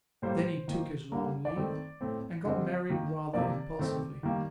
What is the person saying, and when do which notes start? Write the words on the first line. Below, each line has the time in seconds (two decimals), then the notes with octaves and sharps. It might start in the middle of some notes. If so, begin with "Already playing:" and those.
Then he took his long leave, and got married rather impulsively.
0.22 A2 G3 A#3 C5
0.68 D#3 A#3
1.12 D3 G3 A#3 A#4
1.45 D5
1.56 D#3 A3 C4
2.01 A2 A3 C4
2.45 D3 G3 C4 D#5
2.89 D#3 A#3
3.34 C3 F3 A#3 D5
3.79 D#3 A3 C4
4.23 D#3 G3 A#3